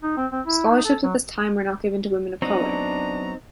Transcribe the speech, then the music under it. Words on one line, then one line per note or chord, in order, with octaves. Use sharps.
Scholarships at this time were not given to women of color.
D#4
C4
C4
E4
D#4
A4
F#3
F#3 B3 C4 D4 D#4 A#5